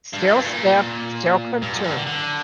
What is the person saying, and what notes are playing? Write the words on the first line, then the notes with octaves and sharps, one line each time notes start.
Still stiff, still couldn't turn.
G2
A#2
G2
A#2
G2
F#2
G2
D3
D3